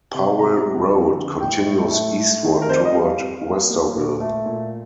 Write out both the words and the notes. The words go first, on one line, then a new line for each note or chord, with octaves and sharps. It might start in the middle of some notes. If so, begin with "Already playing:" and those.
Powell Road continues eastward toward Westerville.
C3
C3 A#5
G3
F2
D3
A2 G5
A2
A3
A3
D#3
A#4
F2 C5
D5
D#5
G3 F5
F2
A#3
A#3
A#2
A3
A#2